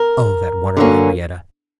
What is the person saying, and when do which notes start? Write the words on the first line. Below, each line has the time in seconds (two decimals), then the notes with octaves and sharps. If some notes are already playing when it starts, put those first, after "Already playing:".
Oh, that wonderful Henriette!
Already playing: A#4
0.77 D3 F#3 A#3 C#4